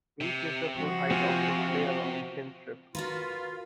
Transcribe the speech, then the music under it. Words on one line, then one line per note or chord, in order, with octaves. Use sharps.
Each is the full height of the display-a long, thin strip.
C3
F3 F#4
C3 C4 F4 G#5
F4 F#4 A#4 B4